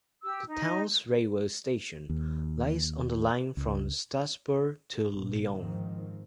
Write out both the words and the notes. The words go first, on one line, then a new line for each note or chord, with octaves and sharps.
The town's railway station lies on the line from Strasbourg to Lyon.
G4 E6
D#4
D#2
C#2
G1 A#2
G#2 D#3 F3 C4